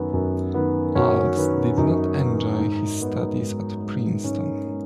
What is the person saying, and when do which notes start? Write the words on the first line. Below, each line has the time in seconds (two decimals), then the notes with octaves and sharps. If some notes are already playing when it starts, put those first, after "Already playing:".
Alves did not enjoy his studies at Princeton.
Already playing: F#2 D#3 B3
0.13 F#2
0.54 D#3 B3
0.95 F#2 C#4 F#4
1.36 D#3 B3
1.77 F#2 D#4
2.18 D#3 B3
2.60 G#2
3.01 G#3 B3
3.42 G#2
3.83 G#3 B3
4.24 G#2 C#4
4.65 G#3 B3